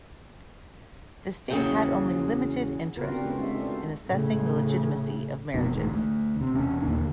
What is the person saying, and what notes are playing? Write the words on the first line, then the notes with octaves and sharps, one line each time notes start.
The state had only limited interests in assessing the legitimacy of marriages.
E2 C#3 F#3 A#3 G5
C#3 B3 F4 F#4 A#4 B4
B3 C4 D4 F#4 G4 A#4
G#3 B3 C#4 F4
G#3 C4 D#4 G4 E5
D4 F4 A4 C5
G#3 F#4
A2 C#3
F1 F2 B2 D#3
A1 G#2
D2
C3
E1 C#4
D#2 A#2 D3 D#3